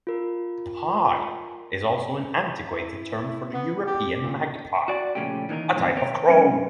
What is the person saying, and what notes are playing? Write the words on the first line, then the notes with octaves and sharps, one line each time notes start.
"Pie" is also an antiquated term for the European magpie, a type of crow.
F4 A#4
E4
B3
G4
A#2
F#4 D5
A#2 C#3 F3 A3 C#4 G4
D#3 E3 A#3 D#4 A#4
G#2 D3 F3 F#3 C4 E4
D#2 B3 A#4 C5 C#5 G5
G#2 F#3 C#4